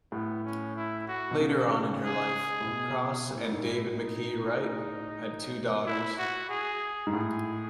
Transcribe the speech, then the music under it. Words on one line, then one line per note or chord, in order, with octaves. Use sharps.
Later on in her life, Cross and David McKee Wright had two daughters.
A2 B3
C#4
E4
F#4
B2
C#3
G#4
A2
B2
A2 E4
G#2
A2
A2 D#4
A2
E4
F#4
G#4
G#2
A2 G#4